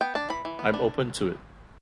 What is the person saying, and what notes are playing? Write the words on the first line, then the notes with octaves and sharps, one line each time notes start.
I'm open to it.
B3 G5
D4 A5
E3 B5
E3
B3
D4